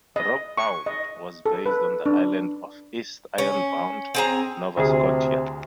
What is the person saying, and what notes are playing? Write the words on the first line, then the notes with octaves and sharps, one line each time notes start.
"Rockbound" was based on the island of East Ironbound, Nova Scotia.
D#5
C#6
D#5
A4
B4
D4
C#4
C4 G#4 A#5
D2 C3 G#4